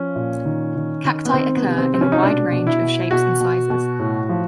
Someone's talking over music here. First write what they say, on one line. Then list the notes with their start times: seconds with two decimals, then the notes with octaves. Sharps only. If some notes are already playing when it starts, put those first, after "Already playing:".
Cacti occur in a wide range of shapes and sizes.
Already playing: F3 C#4
0.16 A#2
0.45 D#3
0.75 D#3
1.05 D#3
1.25 B3
1.34 D#3 C4
1.57 B3
1.63 C3
1.78 C4
1.93 C3 C4
2.01 C#4
2.12 D#4
2.23 B2 D4
2.52 B2
2.67 E4
2.82 B2
3.11 B2 F#4
3.40 B2
3.70 B2
3.99 A2
4.29 F3